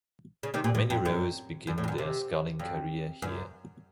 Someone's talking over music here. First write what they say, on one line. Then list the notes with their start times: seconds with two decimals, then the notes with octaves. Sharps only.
Many rowers begin their sculling career here.
0.43 C#3
0.54 C3 D#3
0.64 A#2
0.75 A2
0.90 F2
1.05 F#2
1.67 F#2
1.78 A2
1.84 F2
1.88 F#2
1.98 C3
2.59 F2
3.22 F#2